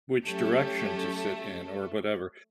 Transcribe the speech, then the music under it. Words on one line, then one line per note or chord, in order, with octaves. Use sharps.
which direction to sit in or whatever,
F#3 A3 C#4 G4 A4